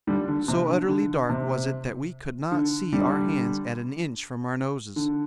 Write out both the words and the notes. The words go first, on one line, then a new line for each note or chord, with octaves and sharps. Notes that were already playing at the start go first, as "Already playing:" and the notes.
So utterly dark was it that we could not see our hands at an inch from our noses.
D3 G3
D3
C3
D3
D3
C3
D3
D3 G3
D3